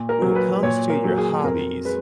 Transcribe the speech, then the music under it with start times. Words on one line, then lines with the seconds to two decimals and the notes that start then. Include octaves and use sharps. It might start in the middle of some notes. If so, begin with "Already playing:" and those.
when it comes to your hobbies,
Already playing: A#2
0.09 A#4
0.22 F#3
0.35 B4
0.62 A#2 C#5
0.90 A#4
1.04 F#3
1.18 G#4
1.44 F2 A#4
1.85 G#3 B4